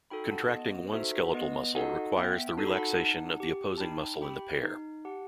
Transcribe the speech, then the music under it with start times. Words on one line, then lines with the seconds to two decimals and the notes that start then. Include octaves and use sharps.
Contracting one skeletal muscle requires the relaxation of the opposing muscle in the pair.
0.10 D#4 F#4 A4 G5 B5
0.31 F#5 A5
0.52 B3 D#5 F#5
0.93 D#4 F#4 A4 C5 E5
1.34 B3 B4 D#5
1.75 D#4 F#4 A4 D#5 F#5
2.17 B3 E5 G5
2.58 D#4 F#4 A4 A5
2.67 B5
2.75 F#5 A5
2.99 D#4
3.40 G4
3.78 A5
3.81 D#4 G5 B5
4.22 G4 G5 B5
4.63 D#4
5.05 G4 F#5 A5